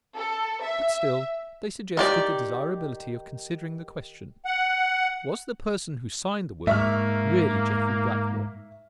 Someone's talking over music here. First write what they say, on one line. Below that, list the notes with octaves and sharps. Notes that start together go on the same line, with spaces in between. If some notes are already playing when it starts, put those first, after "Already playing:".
But still they suggested the desirability of considering the question: Was the person who signed the will really Jeffrey Blackmore?
A4
E5
D#3 G4 D5
F#5
G#2 A#3 E5 C#6 F6